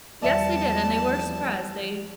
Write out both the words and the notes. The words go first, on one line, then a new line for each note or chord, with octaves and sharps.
Yes, they did and they were surprised. They
E2 F3 G3 D5 E5 A5 C#7